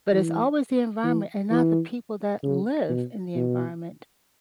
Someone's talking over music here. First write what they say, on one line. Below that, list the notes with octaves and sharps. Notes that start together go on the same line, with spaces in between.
but, it's always the environment and not the people that live in the environment.
E3
E3
E3
C#3
B2
B2